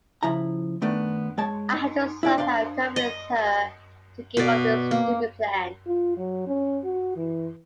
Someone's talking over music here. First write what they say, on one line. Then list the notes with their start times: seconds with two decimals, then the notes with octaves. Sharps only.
I have to somehow convince her to give up this stupid plan.
0.23 C#3 F3 E4 A#5
0.82 D#3 A3 B3 D4
1.38 G#3 C#5 A5
1.73 D#4
2.23 A#2 D4 E4
2.38 D4 C5 F5 B5 C6
2.96 D#5
4.37 B2 D5
4.91 A#3
5.87 F4
6.18 F#3
6.47 C#4
6.84 F#4
7.17 E3